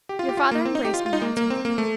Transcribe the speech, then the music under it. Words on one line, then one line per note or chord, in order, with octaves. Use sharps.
Your father embraced me once more.
G4
F4
G4
F4
A#3
C4
D#4
G4
F4
F4
D#4
A#3
A#3
C4
A#3
A3